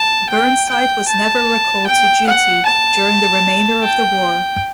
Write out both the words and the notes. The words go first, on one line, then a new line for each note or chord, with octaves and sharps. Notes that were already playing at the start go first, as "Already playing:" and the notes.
Burnside was never recalled to duty during the remainder of the war.
Already playing: A5
G5
G5
A5
G5
F#5
A5
G5